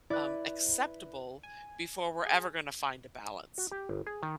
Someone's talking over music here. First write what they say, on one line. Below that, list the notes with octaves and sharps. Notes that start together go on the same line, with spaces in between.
um, acceptable before we're ever gonna find a balance;
E4 B4 D5
G#5
G#4
F#4
G4
G1
G#4
D#3